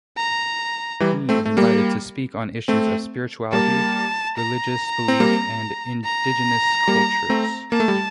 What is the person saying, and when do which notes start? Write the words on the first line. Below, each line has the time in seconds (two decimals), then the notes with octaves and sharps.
He is invited to speak on issues of spirituality, religious belief and indigenous cultures.
0.17 A#5
1.00 E3 G3
1.29 A3 C4
1.46 A3
1.57 G3 A#3
2.68 A3 C4
3.52 G3 A#3 A5
4.36 A#5
5.08 C4
5.20 G3 A#3
6.04 A#5
6.88 G3 A#3
7.30 A3 C4
7.72 A#3 A5
7.80 A3
7.88 G3